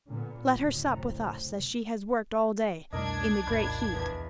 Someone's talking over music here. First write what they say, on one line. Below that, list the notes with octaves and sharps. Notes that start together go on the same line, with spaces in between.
Let her sup with us, as she has worked all day in the great heat.
A#2 D3 B3
F#1 D2 A2
C3 A#5
C2 F2 B2 A3 D4 A#4 D#5 G#6
F1 A#2 B5
E2 A#5